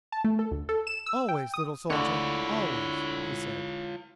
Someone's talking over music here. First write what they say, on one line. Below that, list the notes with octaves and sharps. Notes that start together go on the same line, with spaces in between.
"Always, little soldier, always," he said.
A5
A3
A4
D2
A4
E7
E6
G5
D#6
D2 D3 E4 F4 C#5 C#6